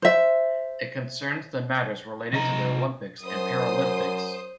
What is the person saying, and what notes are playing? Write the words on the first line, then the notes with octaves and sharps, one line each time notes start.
It concerns the matters related to the Olympics and Paralympics.
C5 E5
C3 D#5 A#5
F#2 C5 D#6